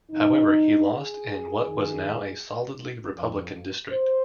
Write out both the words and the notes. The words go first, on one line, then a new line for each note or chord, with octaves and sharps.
However, he lost in what was now a solidly Republican district.
F2 C3 D#3 D#4
G#4
F2 D#3
F2 F3
C5